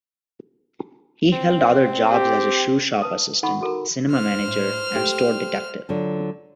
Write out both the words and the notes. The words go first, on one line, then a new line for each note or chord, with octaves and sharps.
He held other jobs as a shoe shop assistant, cinema manager and store detective.
C4
G4
B4 A5 D#6
D#4 A4 F#5 B5 C#6
F#4 A4 A#4 A#5
C5 F6
A2
A3 G4
D3 F#3 F4